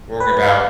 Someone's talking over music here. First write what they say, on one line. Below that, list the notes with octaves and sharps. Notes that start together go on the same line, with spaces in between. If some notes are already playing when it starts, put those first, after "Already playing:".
worrying about,
B4